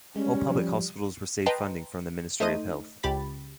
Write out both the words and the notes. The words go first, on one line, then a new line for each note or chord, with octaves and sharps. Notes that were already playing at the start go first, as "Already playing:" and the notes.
All public hospitals receive funding from the Ministry of Health.
G3 G#3 C#4
F3
B4 D#5 G5 A5 A#5 C6
A3 D#4 C5 D#5 D#7
C#2 G4 B5 A6 B6